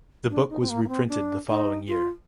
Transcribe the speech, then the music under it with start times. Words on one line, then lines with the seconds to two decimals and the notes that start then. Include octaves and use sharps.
The book was reprinted the following year.
0.30 D4
0.50 D#4
0.60 C4
0.69 A#3
0.84 A#3
0.89 C4
1.09 D4
1.48 D#4
1.88 F4